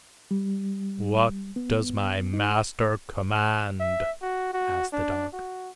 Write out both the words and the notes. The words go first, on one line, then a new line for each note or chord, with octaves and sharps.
"What does my master command?" asked the dog.
G3
B3
D#4
E5
F#4
F#4
D4
F#4